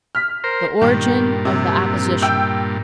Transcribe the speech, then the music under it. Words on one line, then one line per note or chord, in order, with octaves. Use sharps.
The Origin of the Opposition.
F6 B6
A#4 C5
G2 A#2 D#3
C3
G5 E6 G6